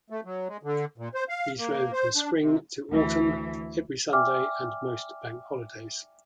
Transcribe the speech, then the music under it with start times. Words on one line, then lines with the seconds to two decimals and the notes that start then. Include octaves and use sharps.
These ran from Spring to Autumn, every Sunday and most Bank Holidays.
0.10 A3
0.25 F#3
0.48 G#3
0.63 D3
0.98 A#2
1.14 C5
1.29 F5
1.58 A#3
1.92 C5
2.16 D4
2.39 C3
2.91 D2 E3
4.13 D5 E5 G5 G#5 D6 F6